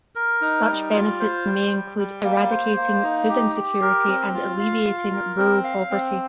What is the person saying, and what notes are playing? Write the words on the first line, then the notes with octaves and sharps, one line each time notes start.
Such benefits may include eradicating food insecurity and alleviating rural poverty.
A#4
D#4
G3
F4
C5
G3
G3
G3
A#3
C5
A#3
D#4
G4
G4
A#4
C4
F4
F5
F4
A#4
C4
F5
C4